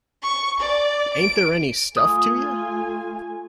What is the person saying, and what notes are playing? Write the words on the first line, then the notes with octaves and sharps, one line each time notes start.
Ain't there any stuff to you?
C#6
D5
D7
A3 F4 G#5 D#6